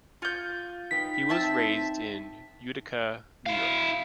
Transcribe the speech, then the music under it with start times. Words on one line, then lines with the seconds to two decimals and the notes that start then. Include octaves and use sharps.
He was raised in Utica, New York.
0.22 F4 G6 G#6 C#7
0.91 D#4 B4 G5 B6
1.29 C4 E5 A5
3.46 E4 F5